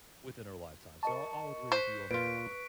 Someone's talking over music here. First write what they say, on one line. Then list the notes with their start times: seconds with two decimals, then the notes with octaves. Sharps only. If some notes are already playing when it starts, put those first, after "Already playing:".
within our lifetime. So, I'll I'll agree with you on the water.
1.03 A#4 D#5 A5 C#6 C#7
1.72 C5 F#6 B6
2.11 A#2 F4 B4 B6 D7